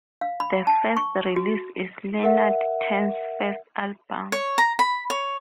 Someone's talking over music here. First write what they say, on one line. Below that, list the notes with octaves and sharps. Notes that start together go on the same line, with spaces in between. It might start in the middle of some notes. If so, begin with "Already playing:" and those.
The first release is Leonard Tan's first album.
F5
B5
A5
C#6
F#4
A#4 E5 F#5
C#5
A#5
B5
C#5